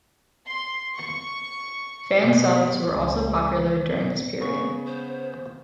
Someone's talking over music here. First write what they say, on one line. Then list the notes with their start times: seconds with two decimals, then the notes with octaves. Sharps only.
Fansubs were also popular during this period.
0.45 C6
0.94 C#6
2.19 B2
2.88 C#2
4.41 C#3 B3 C#6
4.87 C5